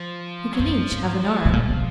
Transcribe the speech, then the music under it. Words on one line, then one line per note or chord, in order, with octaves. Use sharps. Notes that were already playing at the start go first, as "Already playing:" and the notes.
"You can each have an arm."
Already playing: F3
F#3
F#2 F3
G#2
F3
B2
A#2
B2